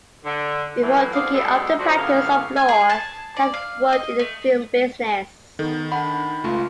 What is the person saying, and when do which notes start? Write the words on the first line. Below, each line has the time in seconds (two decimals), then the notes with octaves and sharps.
Before taking up the practice of law he had worked in the film business.
0.24 D3
0.81 A2 E3 F#3
1.13 D#2 B3 C4 G#4 D5 F5
1.34 B2 G3 G#3 B3 A4
1.79 F3 D4 F#4
1.97 A2 C#3 A#3 B3 F5
2.57 G#5
2.69 G#4
2.90 A5
3.37 D5
3.54 F5
3.93 D#5
4.19 A3
5.59 D#3 B3 A4
5.92 D4 F#5 B5
6.44 C#2 A3 F4